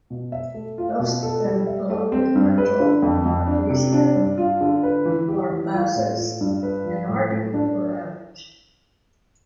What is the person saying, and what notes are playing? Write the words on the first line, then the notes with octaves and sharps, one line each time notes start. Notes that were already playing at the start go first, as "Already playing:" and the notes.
Both of them along with Brundle and Fabrizio Barbazza's Minardi were out.
B2
E5
A3
F4
B2
A4
G3
E5
A3
C4
G2
B4
D3
F2
F2
D4
C3
D4
G2
F4
D3
B4
E3
G4
E3
F4
A2
F4
G2
B4
F3
A2
A2
D4